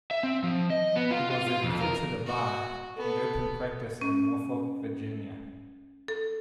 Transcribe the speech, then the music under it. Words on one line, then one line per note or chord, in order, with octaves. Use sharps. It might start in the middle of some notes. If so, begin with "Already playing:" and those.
He was admitted to the bar and opened practice in Norfolk, Virginia.
E5
C4
F3
D#5
B3
F4
F4
F4
F2
A#4
F#4
B3 A4
C#4
A4